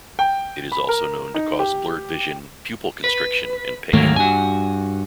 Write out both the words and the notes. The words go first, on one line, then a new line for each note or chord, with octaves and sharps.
It is also known to cause blurred vision, pupil constriction and pain.
G5
B5
A#4
D#4
G4
B4
D2 G#2 D#3 F#3 A3 A#3
G2 F#4 G#5